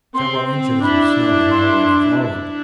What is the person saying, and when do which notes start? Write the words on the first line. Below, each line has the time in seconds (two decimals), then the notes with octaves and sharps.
Several inches of snow had already fallen.
0.15 C4 C6
0.83 D4 E4 B5
1.51 C6
2.19 D4 E4